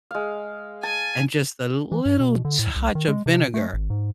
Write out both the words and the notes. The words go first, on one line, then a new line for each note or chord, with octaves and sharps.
and just a little touch of vinegar
G#3 F5
G#5 A5
E3
G2
B2
D3
A2
C2
D#3
G#3
C3
A3
G#1
G#2